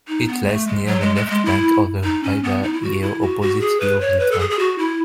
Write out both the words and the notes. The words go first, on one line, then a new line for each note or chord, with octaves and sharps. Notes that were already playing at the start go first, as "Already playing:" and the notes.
It lies near the left bank of the River Yeo opposite Yeovilton.
D#4
B3
A3
G#3
F#3
G#3
G#3
A3
G#3
E4
D#4
C#4
B3
D#4
E4
F#4
E4
F#4
F#4
G#4
B4
C#5
B4
A4
G#4
G#4
F#4
E4